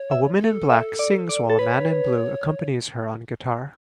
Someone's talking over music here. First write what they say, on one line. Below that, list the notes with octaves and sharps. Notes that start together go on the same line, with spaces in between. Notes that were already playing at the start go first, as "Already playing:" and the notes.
A woman in black sings while a man in blue accompanies her on guitar.
Already playing: C#5
E5
A4
E5
D5
D5
A4
B4 C#5